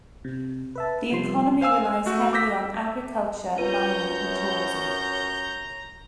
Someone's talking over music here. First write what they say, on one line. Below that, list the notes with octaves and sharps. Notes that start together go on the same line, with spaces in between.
The economy relies heavily on agriculture, mining and tourism.
C3
B4 E5 A5
C3 F3 G3 C6 C7
C5 F5 G#5 E6
A3 F#4
D6 E6 G6 A#6 B6
F#2 F4 B4 C#5 A#5 G6 D#7